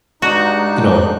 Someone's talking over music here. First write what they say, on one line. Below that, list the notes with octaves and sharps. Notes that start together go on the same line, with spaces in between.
you know,
G2 G#3 D4 D#4 F#4 F#6